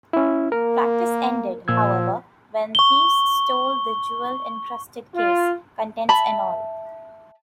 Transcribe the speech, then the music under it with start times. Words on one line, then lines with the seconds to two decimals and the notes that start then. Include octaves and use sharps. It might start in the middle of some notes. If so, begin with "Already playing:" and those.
The practice ended, however, when thieves stole the jewel-encrusted case, contents and all.
0.13 C#4 E4
0.52 A#3 A#4
1.68 A#2 F3 E6 G#6
2.75 C#6 G7
5.15 F4
6.09 E5 A5 B5